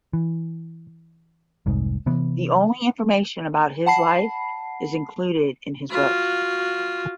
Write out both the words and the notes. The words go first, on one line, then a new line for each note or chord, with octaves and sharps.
The only information about his life is included in his books.
E3
F1 C2 G#2
C3 E3 B3
F#5 A5 B5 C7
F4 F#4